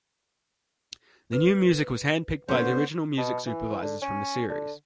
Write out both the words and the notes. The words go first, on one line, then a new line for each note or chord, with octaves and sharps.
The new music was handpicked by the original music supervisors from the series.
B4
D3 B3 C#4 C5
B2
E3
D3
C#4
D3